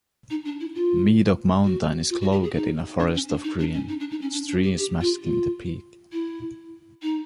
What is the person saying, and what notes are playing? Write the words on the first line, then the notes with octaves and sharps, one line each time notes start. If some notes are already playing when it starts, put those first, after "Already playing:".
Medoc Mountain is cloaked in a forest of green, its trees masking the peak.
D#4
D4
E4
F4
F#4
F4
F#4
G4
G#4
D#4
D4
C#4
D4
D#4
D4
C#4
D#4
D4
D#4
C#4
D4
D4
G4
G4
F4
F4
E4
D#4